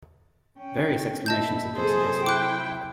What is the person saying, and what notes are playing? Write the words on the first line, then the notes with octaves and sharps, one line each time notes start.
Various explanations have been suggested.
C#4 G5
A#2 E4 D#5 A5 G6
C3 F#3 G#4 A4 C5
E4 G5 D6 F#6